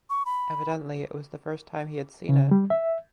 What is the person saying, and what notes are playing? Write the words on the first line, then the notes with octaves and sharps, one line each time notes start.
Evidently it was the first time he had seen it.
C#6
B5
C#3
G3
E5